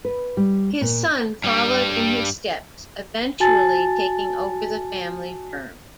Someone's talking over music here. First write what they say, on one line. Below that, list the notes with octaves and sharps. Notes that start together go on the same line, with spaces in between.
His son followed in his steps, eventually taking over the family firm.
B4
G3
A#2
G2 G3
F#4 G#5 A5 A6